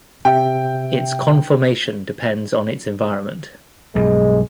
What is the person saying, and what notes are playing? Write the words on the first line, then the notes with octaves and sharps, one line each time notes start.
Its conformation depends on its environment.
C3 E5 G5
B1 G2 G#3